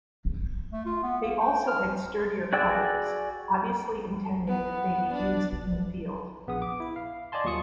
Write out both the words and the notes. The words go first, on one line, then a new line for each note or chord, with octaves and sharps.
They also had sturdier covers, obviously intending that they be used in the field.
A3
F4
B3
A#3
G5
F6
F#4 G#4 D5 G5 E6
B3
D4
A#1 B3 G#4 F#5 D#6
D6
E4
F5
D5 D#5 G#5 A5 C6
D#2 F#3 F4 C#6 D#6 C#7